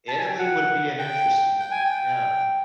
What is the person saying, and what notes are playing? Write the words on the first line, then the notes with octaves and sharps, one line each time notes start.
Italy would be an interesting one, yeah.
A5
G#5
G5
F#5
G5
G5
G#5
G5